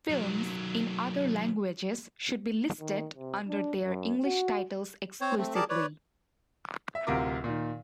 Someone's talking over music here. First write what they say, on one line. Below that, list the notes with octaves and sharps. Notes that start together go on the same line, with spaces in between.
Films in other languages should be listed under their English titles exclusively.
D#3 F#3
D#3
C3
D4
F#2
F#4
C4 C5 C#5
A3 C4
G4 G#4 A#4 D5 A5 D6
B4 C#5 D5
E5
D1 D2 C3 F4 A#4 D6
A#2 D#3